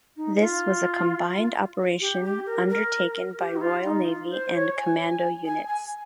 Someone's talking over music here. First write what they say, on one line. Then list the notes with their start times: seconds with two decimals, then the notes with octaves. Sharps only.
This was a combined operation undertaken by Royal Navy and Commando units.
0.16 D#4
0.40 F4
2.01 G4
2.24 G4
2.46 A#4
2.69 A#4
3.39 G4
3.56 D#4
3.61 F4
3.85 D#4
4.07 F4
4.30 C5
4.54 C#5
4.77 G#5
5.45 G#5
5.68 G#5